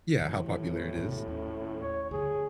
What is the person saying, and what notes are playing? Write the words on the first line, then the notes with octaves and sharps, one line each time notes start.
Yeah, how popular it is.
A2 D#3 E3 G3
D#2 G#2 B2
D#2 C#4
C#5
D2 G2 D3 G#4